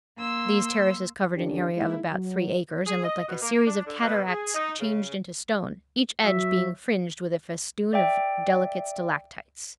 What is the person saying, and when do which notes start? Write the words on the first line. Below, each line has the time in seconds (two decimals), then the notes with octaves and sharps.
These terraces covered an area of about three acres, and looked like a series of cataracts changed into stone, each edge being fringed with a festoon of delicate stalactites.
0.18 A#3 C6 E6
1.36 F2 D3 D#3 C#4 D4 G4
1.77 G#3 A#3 D#4 E4
2.12 F#3
2.86 G#4
3.03 D#5
3.27 B2
3.41 A#3
3.66 D4
3.85 D3
4.00 B2
4.26 G#4
4.55 D#4
4.79 C#3
6.24 F#3 F#4 E5
7.93 D5 E5 G5